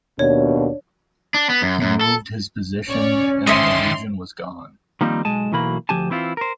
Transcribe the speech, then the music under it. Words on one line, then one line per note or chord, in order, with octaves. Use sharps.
He moved his position, and the illusion was gone.
D#2 B2 D4 C#5
D4
B3
F#2
F#2
A4
C#4 C#5 D5
D3 D#3 D#5 E5 G#5 C6
D#3 F3 G3 A#3 C4 D#4
B1 G#3 G#5 A5
B1 E3 F#3 A#3 B5
D2 B2 F3 G4 G#5 A5
E3 C4 E4 F4
A#4 C5